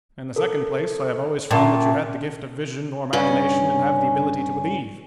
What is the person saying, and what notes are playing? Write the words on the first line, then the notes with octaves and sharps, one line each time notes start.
In the second place, I have always found that you had the gift of vision or imagination and have the ability to believe.
A4 A#4
A#2 C#4 E5 G5 A5
G2 C#3 C#4